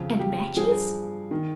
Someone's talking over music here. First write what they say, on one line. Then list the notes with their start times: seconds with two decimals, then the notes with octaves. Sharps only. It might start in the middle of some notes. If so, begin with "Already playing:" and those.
"And matches?"
Already playing: F2 C#3 F3
0.19 G4
0.56 G2 F3 G#4
1.31 D#3